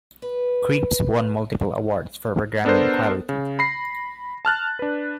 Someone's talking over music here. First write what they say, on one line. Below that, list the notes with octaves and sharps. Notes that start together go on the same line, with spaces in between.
"Creeps" won multiple awards for programming quality.
B4
B3 D4 A4 A#4 C5
C#3
B5 A#6 C7
A5 F6 F#6 A6
D4 B4